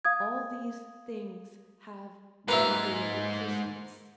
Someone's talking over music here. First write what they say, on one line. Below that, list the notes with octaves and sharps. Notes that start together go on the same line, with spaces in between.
All these things have no real existence.
F5 D#6 G#6
G#2 A#3 F4 B4 E5